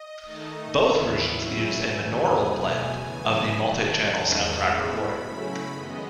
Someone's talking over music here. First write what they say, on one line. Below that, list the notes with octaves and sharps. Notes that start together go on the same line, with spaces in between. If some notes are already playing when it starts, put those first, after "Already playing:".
Both versions used a monaural blend of the multi-channel soundtrack recording.
Already playing: D#5
D#3 A3 D#4
D#2 C#3 E3 B3 E4 E5
G#2 F#3 C#4 E4
E2 D#3 F#3 A3 G#5
E2 B2 F#3 A3
F#2 C#3 E3 B3 G#5
D#3 F#3 A3 A5
E2 D#3 G#3 C#4
A2 G#3 B3 E4 B5
C#3 F#3 A3 C#4 E4
F#2 D#3 G#3 B3 D#5